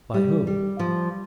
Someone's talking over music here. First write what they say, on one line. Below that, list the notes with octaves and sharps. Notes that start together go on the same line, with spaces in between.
"By whom?"
G3
G3
F3